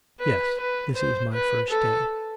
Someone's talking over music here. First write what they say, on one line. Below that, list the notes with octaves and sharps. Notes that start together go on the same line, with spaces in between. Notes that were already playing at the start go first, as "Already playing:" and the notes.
'Yes, this is my first day.'
B4
B4
C5
B4
A4